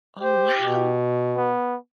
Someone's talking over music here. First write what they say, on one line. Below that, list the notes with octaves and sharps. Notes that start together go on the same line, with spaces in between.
Oh, wow.
G4 C5
B2
B3